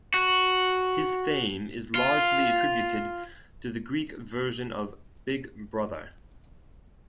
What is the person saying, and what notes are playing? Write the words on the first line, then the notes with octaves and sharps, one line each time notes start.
His fame is largely attributed to the Greek version of "Big Brother".
F#4
F4